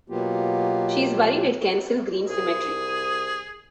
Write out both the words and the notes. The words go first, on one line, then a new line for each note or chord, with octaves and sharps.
She is buried at Kensal Green Cemetery.
B2 F#3 A#3 B3 F4 G4
C2 G#4 D#6